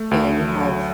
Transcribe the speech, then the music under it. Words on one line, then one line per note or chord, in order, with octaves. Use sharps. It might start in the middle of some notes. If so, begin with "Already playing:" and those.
and you have
Already playing: A3
D2
F#3